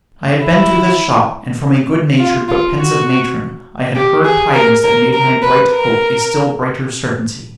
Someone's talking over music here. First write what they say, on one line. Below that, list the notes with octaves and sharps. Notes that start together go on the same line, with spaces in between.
I had been to this shop, and from a good-natured but pensive matron I had heard tidings that made my bright hope a still brighter certainty.
E4
F4
F4
F#4
G4
G#4
A#4
A#4
A#4
B4
A#4